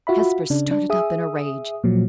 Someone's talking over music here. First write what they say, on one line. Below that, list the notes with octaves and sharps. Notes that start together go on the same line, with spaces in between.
Hesper started up in a rage.
F4 F#4 E5 B5
C#3 D4
D4
G#4 E5 D#6
A#2 F3 F#3